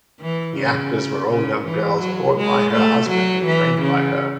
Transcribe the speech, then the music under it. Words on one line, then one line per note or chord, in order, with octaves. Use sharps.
The actors were all young girls bought by her husband and trained by her.
E3
C#3
C#3
E3
F#3
G#3
A3
F#3
E3
C#3